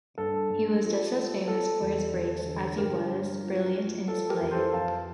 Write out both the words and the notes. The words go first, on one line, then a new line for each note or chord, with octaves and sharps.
He was just as famous for his breaks as he was brilliant in his play.
G2 A4
G2
F3
F3
F3 A4
E2
E2
D3
G2 G4 A#4
G2
F3
F3
F3 A4
G4 A#4
F2
A4 C5
F2 F5 A5